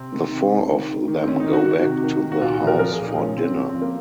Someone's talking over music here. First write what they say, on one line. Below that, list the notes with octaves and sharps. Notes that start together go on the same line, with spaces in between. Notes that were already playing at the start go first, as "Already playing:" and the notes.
The four of them go back to the house for dinner.
Already playing: C3 C4
D#3
C3
D#3
D#3
D#3
D#3
C4
D#3 C#4
D#4
D#3
F#4
D#3 F#4
C3
D#3
D#3
F#4
A#2 F4
F#4
F3
A#4
F3 A#4
G#4
A#2
D#4
F3 C#4
F3 C4
F3 C#4
C4
F3
A#3